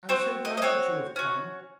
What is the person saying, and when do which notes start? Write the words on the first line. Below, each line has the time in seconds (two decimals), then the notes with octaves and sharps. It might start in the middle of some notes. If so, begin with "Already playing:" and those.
'I am so glad that you have come.'
0.09 C4 F#4 C5
0.45 D#5
0.57 D#5
0.62 C4 F#4 C#5
1.16 C#4 F#4